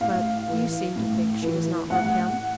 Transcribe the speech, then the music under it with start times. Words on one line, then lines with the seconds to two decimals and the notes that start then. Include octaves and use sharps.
"But you seem to think she does not love him!"
0.01 A2 F5
0.48 E3
0.96 A2
1.42 E3
1.90 A2 F#5